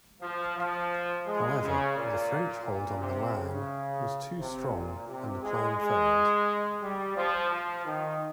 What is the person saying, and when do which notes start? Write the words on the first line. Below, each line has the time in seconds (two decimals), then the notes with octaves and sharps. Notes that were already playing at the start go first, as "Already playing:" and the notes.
However, the French hold on Milan was too strong and the plan failed.
0.22 F3
0.56 F3
1.27 G#3
1.62 C#3
1.96 A#2
2.65 A#2
3.00 C3
3.35 C#3
4.39 C3
4.73 A#2
5.08 C3
5.43 G#3
5.77 G#3
6.82 G3
7.16 F3
7.51 F3
7.86 D#3